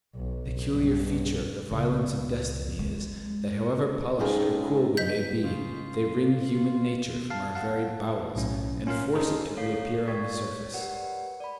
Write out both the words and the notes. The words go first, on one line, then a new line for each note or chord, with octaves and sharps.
The peculiar feature of the violences of destiny is, that however polished or cool we may be, they wring human nature from our very bowels, and force it to reappear on the surface.
B1
B1 G2
C#2
G#3
A2 G#3 C#4 D#4 F4 G#4
B4 D#5 G6 B6
C#3 F4
F5 A5
F5 F#5 A5
B1 A2 C#4
C#4 F4 A#4 F5
D4 D#4 G#4 A4 C5
A3 A4 C#5 F5 C7
D5 G5 C#6 G#6 A6 B6
C#5
G4 A#4 B4 D5 F#5
D5 B5